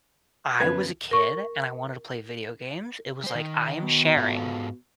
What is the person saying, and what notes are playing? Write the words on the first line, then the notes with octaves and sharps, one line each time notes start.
I was a kid and I wanted to play video games, it was like, "I am sharing
F#2 D3 B3 B4 G#6
A#4 C#6
G3 C5
D#3
B2
G#2 F4 A4